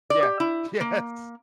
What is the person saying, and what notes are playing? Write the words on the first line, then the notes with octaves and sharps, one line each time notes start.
Yeah. Yes.
D5
G4
E4
A#3